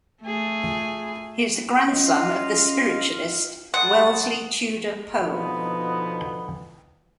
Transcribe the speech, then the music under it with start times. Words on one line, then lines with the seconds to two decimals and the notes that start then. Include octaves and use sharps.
He is the grandson of the spiritualist, Wellesley Tudor Pole.
0.23 A3 G#4
1.88 C#4 F4 D#5 F5
3.74 A2 F#5 A5 C6 D#6
5.18 B2 D3 F3 B3 D#4 B4